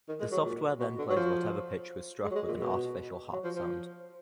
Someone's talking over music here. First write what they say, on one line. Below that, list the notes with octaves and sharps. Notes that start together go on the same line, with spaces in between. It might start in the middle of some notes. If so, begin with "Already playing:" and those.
The software then plays whatever pitch was struck with an artificial harp sound.
D#3
G#3
F#3
A#2
B2
D3
F#3
F3
G#3
F#3
G#3
A#2
B2
F#3
F3
F3